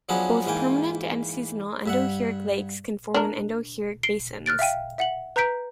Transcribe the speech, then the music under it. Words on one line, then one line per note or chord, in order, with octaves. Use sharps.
Both permanent and seasonal endorheic lakes can form in endorheic basins.
F3 F#3 B3 C#4 D4 G#4
G#2 E3 A#3 G5 G#5
G2 E5 F#5
D4 A#4
C7 D7 G7
F6 F#6 A6 D7
E5 F5 G5 D#7
E5 F#5 F#7
B4 A#5 G6 B6 D7